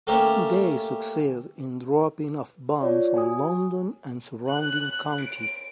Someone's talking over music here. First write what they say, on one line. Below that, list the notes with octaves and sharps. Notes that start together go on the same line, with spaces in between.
They succeeded in dropping of bombs on London and surrounding counties.
A3 A#3 C#4 G4
F4 C#5 D5
F#4 G#5 D#6
F#6
D7